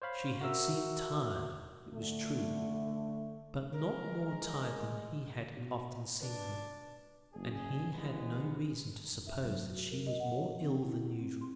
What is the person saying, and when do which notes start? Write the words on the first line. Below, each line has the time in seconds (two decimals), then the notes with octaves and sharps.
She had seemed tired, it was true, but not more tired than he had often seen her, and he had no reason to suppose that she was more ill than usual.
0.02 C5 C#5 F5 B5
0.41 F#4 A#4 E5 E6
1.93 D3 A3
3.72 G#3 A#4
5.57 B2
6.20 D4 B4
7.33 F#1 G#4
7.93 C2 E3 G#3 B3
9.06 F#2
9.27 E5
9.43 F#3
9.71 F#4
9.91 A#4
10.06 D#5
10.20 F#5
10.35 C#5
10.61 C4
10.84 E4
11.19 C4
11.41 C6